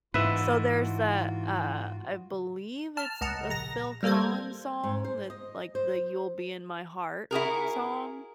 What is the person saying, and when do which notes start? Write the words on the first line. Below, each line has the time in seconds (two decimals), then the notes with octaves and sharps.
So, there's that, uh, I believe it's a Phil Collins song that, like, the "You'll Be in My Heart" song?
0.14 G#2 E3 D#4 F4 F#4 B4 E5
2.97 A5 F6
3.21 C#2 D#5 F#5 A5 A#5
3.50 A#1 A#5 A#6
4.03 G3 A#3 A4 C5 G#6
4.84 G#2
5.04 C5
5.30 D#5
5.75 C5
7.31 E4 F#4 G#4 A#4